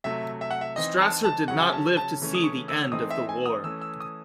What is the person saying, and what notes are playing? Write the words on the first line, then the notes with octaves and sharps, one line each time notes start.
Strasser did not live to see the end of the war.
C3 F#3 A3 E5
E5
F#5
E5
E3 C4 D#4 D#5
A5
A5
C#3 F#3 C#4 F#5
G#5
A5
A5
C#3 E3 A3 C#4
D#6
C#6
E6
E3 A3 C4 D#4 D#6
E5
G#5
D#6
E3 A3 C#4 E6
E6
D#6